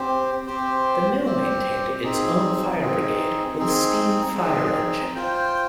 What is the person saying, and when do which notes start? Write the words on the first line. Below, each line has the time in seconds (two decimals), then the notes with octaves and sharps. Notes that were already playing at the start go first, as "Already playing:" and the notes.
The mill maintained its own fire brigade with steam fire engine.
Already playing: C4 G4 C5
0.47 C4 G4 C5
1.24 C4 G4 C5
2.03 C4 D#4 G#4
2.81 C4 D#4 G#4
3.59 C4 D#4 G#4
4.37 C4 D#4 G#4
5.15 F4 C5 G5